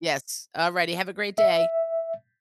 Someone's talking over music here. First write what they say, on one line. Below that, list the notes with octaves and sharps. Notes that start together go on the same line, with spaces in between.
Yes, alrighty, have a great day.
E5